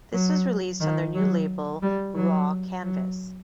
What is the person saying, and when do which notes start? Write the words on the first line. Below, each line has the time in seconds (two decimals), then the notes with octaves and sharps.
This was released on their new label Raw Canvas.
0.12 F#3
0.80 D#3
1.15 F#3
1.82 G3
2.15 F#3
2.84 F#3